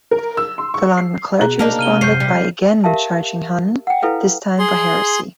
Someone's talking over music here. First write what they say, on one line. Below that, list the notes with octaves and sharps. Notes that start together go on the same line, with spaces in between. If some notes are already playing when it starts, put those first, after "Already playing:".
The London clergy responded by again charging Hunne, this time for heresy.
A#4
E6
C6
C#6
C7
B2 G#4 A#5
A#3 D4 D#4
C3 F6 D#7 G7
F#2 C#5 G6 C7
G3
G4 A#4 E5 F5 A5
F#5 G5
E4 A4 B4 F5
G#4 C6